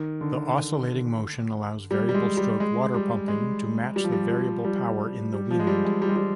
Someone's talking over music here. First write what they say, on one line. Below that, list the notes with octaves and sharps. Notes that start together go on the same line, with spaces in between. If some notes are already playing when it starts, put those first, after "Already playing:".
The oscillating motion allows variable-stroke waterpumping to match the variable power in the wind.
Already playing: D#3
D3
G3
G3
G#3
G3
G#3
G3
G#3
G3
F3
G3
F3
G3
G3
F3
G#3
G3
G#3
G3
G#3
G3